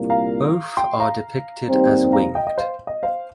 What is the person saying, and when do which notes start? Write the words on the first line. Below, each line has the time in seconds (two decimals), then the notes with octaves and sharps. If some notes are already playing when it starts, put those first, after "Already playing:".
Both are depicted as winged.
Already playing: C2 A#2 A#3
0.10 F5 A#5
0.77 G5 C6
1.00 F5 A#5
1.68 D#2 D#3 G3 C4
2.12 F5 A#5
2.35 D#5 G5
2.47 D#5
2.58 C5 F5
2.87 D#5
3.03 C5 F5